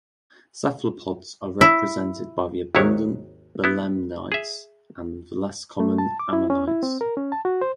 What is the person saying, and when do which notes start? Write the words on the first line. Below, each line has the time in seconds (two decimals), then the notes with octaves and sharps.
Cephalopods are represented by the abundant belemnites and the less common ammonites.
1.61 E4
2.75 G#1 D#2 D#3 F#3 E4 C#5
3.64 B3 E4
4.32 G#4 E5
5.80 A3
5.98 A5
6.20 D6
6.33 E4
6.50 C#4
6.68 E4
6.83 C4
7.01 A#4
7.17 C#4
7.32 A5
7.45 F#4
7.61 C5